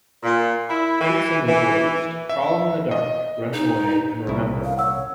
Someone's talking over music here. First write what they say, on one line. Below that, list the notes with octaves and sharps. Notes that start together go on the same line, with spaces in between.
Three singles were released, "Crawling in the Dark", "Running Away", and "Remember Me".
A#2
E4
E3
E3
E5
D#5
D#4
C2 C#3 E4
F5
C#5 F#5 E6